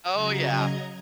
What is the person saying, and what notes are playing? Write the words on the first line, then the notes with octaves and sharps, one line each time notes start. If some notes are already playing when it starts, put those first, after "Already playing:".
Oh, yeah.
C#3 F#3 D#5 A#5 G#6